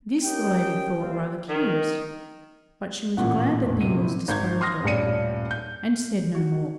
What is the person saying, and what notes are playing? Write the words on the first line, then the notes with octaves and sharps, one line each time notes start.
This the lady thought rather curious, but she was glad the thing was disposed of, and said no more.
C#4 G4 A#4 D#5 G5
E3 G3 A#3 C4 F4
D#3
A1 A#2 F#5
F2 A2
C3 D#7
C4 E4
G#1 G6 G#6
C6 D#6 F6 A#6
D#1 A1 G2 D4 C#7 D#7
G6
F#4